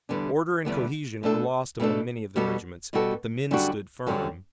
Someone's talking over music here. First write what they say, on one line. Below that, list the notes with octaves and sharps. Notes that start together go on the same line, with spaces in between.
Order and cohesion were lost among many of the regiments, but the men stood firm.
E2 D3 G3 B3 D4
E2 D3 G3 B3 D4
B2 A3 D4 A4
B2 A3 D4 A4
B2 G3 B3 F#4 A4
B2 G3 B3 F#4 A4
F#2 D3 G3 D4 F#4
F#2 D3 G3 D4 F#4